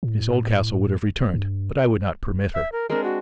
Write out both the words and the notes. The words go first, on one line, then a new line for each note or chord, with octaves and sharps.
Miss Oldcastle would have returned, but I would not permit her.
A2
G2
E5
A#4
G#3 C4 D4 A#4
F#4